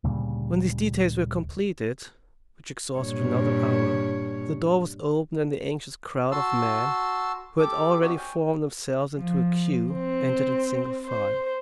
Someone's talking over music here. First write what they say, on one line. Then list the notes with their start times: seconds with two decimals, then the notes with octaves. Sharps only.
When these details were completed, which exhausted another hour, the door was opened, and the anxious crowd of men, who had already formed themselves into a queue, entered in single file.
0.04 D2 A#2 C#3 G3
2.98 G2 A#2 C#5
6.32 F#4 A5 C6 E6
7.59 G4 A4 D6
8.01 C4 C#4 D#4 F#4 G4
8.17 C#5 G5 G#5
9.17 F3
9.93 C4
11.05 C5